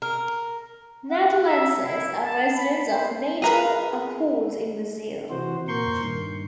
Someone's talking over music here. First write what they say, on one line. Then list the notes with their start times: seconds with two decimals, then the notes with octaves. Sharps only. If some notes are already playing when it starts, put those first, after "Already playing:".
"Natalenses", as residents of Natal are called in Brazil.
0.02 A#4
1.09 F#5
1.43 E5
1.84 E4
2.20 A5
2.54 B5
2.91 C5
3.42 G#4 A#4 B4
5.30 C3 E3 F#4 C5
5.68 A#2 A#4 C6 C#6 G6
6.03 G2 D#3